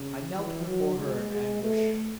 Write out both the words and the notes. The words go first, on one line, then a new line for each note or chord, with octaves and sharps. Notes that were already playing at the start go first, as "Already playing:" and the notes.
I knelt before her in anguish.
Already playing: C#3
E3
F#3
G#3
G#3
A3